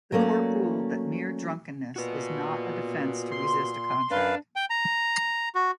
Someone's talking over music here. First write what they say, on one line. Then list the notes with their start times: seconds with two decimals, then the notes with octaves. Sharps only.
The Court ruled that 'mere drunkenness' is not a defence to resist a contract.
0.12 F#3 A3 A#3 C#4 D5
1.96 A#2 F#4 B4
3.31 C6
4.11 F#2 D4 B4 F5
4.56 G5
4.70 A#5
5.55 F#4